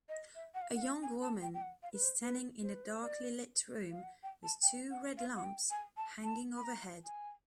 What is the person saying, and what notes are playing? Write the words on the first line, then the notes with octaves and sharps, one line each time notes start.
A young woman is standing in a darklylit room with two red lamps hanging overhead.
D#5
E5
F#5
F5
F#5
F5
G#5
A5
G5
G5
F#5
F5
B4
C5
B4
C5
B4
C5
D5
F5
F#5
G5
A5
G5
F#5
F5
F#5
G5
G#5
A5
A5
B5
A#5
G#5